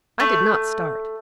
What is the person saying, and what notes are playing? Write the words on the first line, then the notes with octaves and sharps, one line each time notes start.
I did not start!
A3